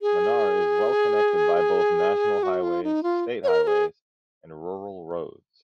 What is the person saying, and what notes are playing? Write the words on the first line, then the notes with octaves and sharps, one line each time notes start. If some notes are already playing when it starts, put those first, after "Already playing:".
Munnar is well connected by both National highways, state highways and rural roads.
G#4
F#4
F4
D#4
F4
C#5
A#4
A#4
G#4